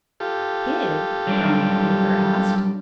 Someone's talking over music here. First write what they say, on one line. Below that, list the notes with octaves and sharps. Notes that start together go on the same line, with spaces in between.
"Pig?" Brownie Beaver asked.
F4 G4 A4
F#3 G3 D4